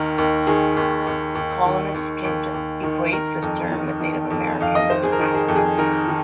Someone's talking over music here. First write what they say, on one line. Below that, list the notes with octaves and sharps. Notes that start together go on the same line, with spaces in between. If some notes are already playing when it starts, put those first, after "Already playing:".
Colonists came to equate this term with Native Americans and Africans.
Already playing: D#2 D#3 A#4
D#2
D#3 G#4
D#2
D#2
D#2
D#3
D#2
D#2
D#2
D#3
D#3 A#4
F2
D#3
D#3
F2
F2 F5
D#5
D#3 C5
G#4
A#4
D#3
G#4
F2
G#4
D#3 A#4
D#3